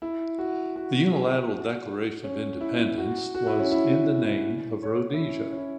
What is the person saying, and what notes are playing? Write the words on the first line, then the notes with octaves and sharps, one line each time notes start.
The Unilateral Declaration of Independence was in the name of Rhodesia.
E4
F#4
F#4
G#4
F#4
C#4
E4
F#4
F#4
E4
C#4
E4
C#5
E4
C#4
C#4
E4